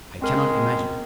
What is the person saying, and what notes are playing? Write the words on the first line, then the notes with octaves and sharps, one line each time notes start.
I cannot imagine.
G#3 C4 A#4